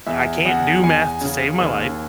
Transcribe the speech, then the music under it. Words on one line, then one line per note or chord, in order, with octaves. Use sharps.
I can't do math to save my life,
E2 E5
E2 F#5
E2 G#5
C#3
D#2